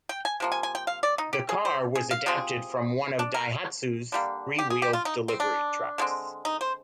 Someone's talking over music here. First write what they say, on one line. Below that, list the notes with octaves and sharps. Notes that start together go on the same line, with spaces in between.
The car was adapted from one of Daihatsu's three-wheeled delivery trucks.
G5
G#5
C3 F3 A#3
G#5
G#5
G5
F5
D5
D#4
G4
G#4
C5
G#4
F5
C3 F3 C4 G#4
D4
A#4
D3 G3 A#3
G4
G#4
G4
F4
D#4
C4
D4
D3 G#3 C4
D#4
C5